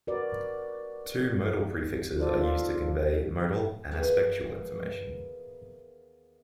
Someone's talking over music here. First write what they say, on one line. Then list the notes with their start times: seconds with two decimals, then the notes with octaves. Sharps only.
Two modal prefixes are used to convey modal and aspectual information.
0.07 F#4 A#4 B4 D5
2.17 F4 A4 C5 D5
2.35 D#4 F4
3.91 D#2 E3 A#3 B3 G#4 B4